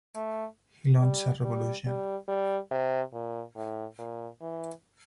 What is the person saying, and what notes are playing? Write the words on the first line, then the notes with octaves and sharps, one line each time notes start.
He launched a revolution.
A3
G3
G3
G3
G3
C3
A#2
A2
A#2
E3